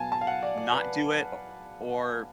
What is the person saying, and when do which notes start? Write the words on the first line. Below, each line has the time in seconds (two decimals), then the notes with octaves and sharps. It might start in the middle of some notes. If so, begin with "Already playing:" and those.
not do it o or
Already playing: B2 F#3 B3 F5 G#5 A5
0.12 A5
0.21 F5
0.27 F#5
0.43 D5
0.58 D5
0.72 B4